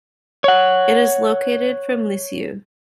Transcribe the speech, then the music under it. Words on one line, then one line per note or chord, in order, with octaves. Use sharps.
It is located from Lisieux.
C#5 F#5